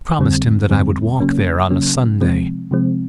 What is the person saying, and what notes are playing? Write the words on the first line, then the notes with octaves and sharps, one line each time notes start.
I promised him that I would walk there on a Sunday.
F2 D3 G3 C4
F2 D3 G3 C4
C#3 F#3 A#3 C#4
C#3 F#3 A#3 C#4
C3 F3 G#3 C4
C3 F3 G#3 C4